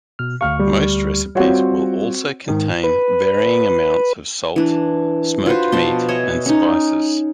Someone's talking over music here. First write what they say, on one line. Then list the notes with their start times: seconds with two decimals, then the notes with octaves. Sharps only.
Most recipes will also contain varying amounts of salt, smoked meat, and spices.
0.19 B2 F6
0.41 D2 F5 C#6 F6
0.59 G3
1.35 G3 C4 F4 F#4 C#5
2.48 G#2 D#3
2.84 B4
4.56 E3 D4
5.46 F4 F#4 B4 C5
5.72 B2 F3 A5 C6
6.08 C#5 D#5 E5 G#5
6.46 C#4 D#4